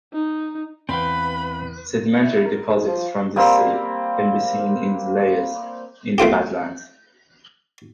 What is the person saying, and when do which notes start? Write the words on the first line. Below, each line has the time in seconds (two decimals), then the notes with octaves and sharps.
Sedimentary deposits from this sea can be seen in the layers in the badlands.
0.13 D#4
0.89 E2 C4 B4 F5 G5 B5
2.21 E4
2.46 A#4
2.68 G#2
2.86 F3
3.36 G3 A#3 C4
6.18 A3 C4 F4 G4